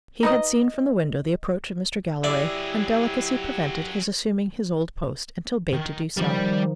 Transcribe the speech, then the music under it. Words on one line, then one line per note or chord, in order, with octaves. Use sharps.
He had seen from the window the approach of Mr. Galloway, and delicacy prevented his assuming his old post until bade to do so.
D#4 B4 D#5
F#3 E4 G4 G#4 D5 E5
D#3
D#3 F3 G3 D#4 D5